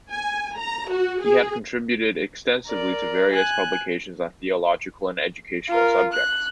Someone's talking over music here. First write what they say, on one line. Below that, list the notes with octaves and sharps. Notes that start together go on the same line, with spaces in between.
He had contributed extensively to various publications on theological and educational subjects.
G#5
A#5
F#4
G#4
A#4 D5
G#5 F#6
F4 A#4
F#6